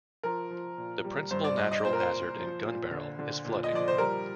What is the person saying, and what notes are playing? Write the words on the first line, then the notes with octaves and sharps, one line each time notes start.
The principal natural hazard in Gunbarrel is flooding.
F3 A#4
F3
A#2
G3
G2 C5
D5
G2 D#5
D#5
A#2 C5
A#4
C5
A#2
F3
A#2
D3
D3
A#2
D#5
F3 D5
C5
G3 A#4